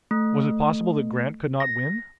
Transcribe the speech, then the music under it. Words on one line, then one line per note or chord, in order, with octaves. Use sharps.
Was it possible that Grant could not win?
A3
A#6